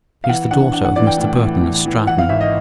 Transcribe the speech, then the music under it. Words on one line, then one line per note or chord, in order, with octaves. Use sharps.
"She is the daughter of Mr. Burton of Stratton."
F5
E3 F#5
D4 F#5
D4 F#5
F#5
E3 D5
G5
A2
E3
E3
E3
E3 F#5
F5
G#1 E5
D#5